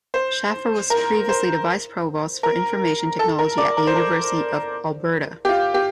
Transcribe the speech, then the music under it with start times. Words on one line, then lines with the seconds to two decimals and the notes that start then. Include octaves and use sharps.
Schaeffer was previously the Vice-Provost for Information Technology at the University of Alberta.
0.14 C5
0.90 A#4
1.29 C5
2.43 A#4
3.19 A4
3.39 A#4
3.58 D5
3.77 A#4
3.87 C5
3.96 A#4
5.45 G4
5.49 F4
5.74 G4